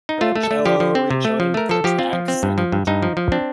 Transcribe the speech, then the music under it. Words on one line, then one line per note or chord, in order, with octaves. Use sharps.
Barrichello rejoined the track second.
D#4
A3 F4
A3
A4
A3
F3 G4
F3
C4
C3
A3
F3
A3 A#4
F3 A4
F3 G4
C4 F4
F3
C4
G2
F3
G2
G2 D#4
F3
F3
C4 D4